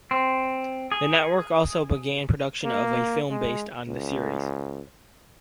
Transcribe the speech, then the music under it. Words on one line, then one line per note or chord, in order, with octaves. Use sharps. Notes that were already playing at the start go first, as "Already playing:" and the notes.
The network also began production of a film based on the series.
C4
G#4
A#3
G#3
C#2